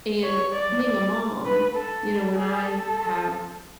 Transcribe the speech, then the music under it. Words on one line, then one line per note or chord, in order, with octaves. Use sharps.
and being a mom, you know, when I have
C#5
D5
D5
B4
A4
G#4
A4